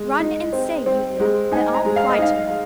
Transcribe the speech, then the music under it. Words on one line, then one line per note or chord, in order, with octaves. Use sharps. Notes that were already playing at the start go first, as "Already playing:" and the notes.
Run and say, Yulia, that I'll fly to her.
Already playing: G#3
D#4
C4
C4
G#3
D#4 G#5
A#5
G#3
F5
D#5
D#4 F5